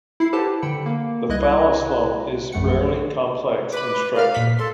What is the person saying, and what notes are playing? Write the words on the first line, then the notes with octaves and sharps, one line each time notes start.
The phallosome is rarely complex in structure.
E4 C7
G4 A4 B4 C5 F#5 A5
D3 G5 B5 C#7
A#3
C2 E4 D#5 F#6 G#6
A#1 F#2 A3 F#5 C#7
B4 B5 D6
A#4 D5 F5 F6
A#2 B6
A4 C6